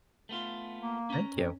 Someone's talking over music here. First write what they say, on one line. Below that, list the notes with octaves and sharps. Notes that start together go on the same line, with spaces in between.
Thank you.
A3 B3 F4
A#3
C#4 A#5
F2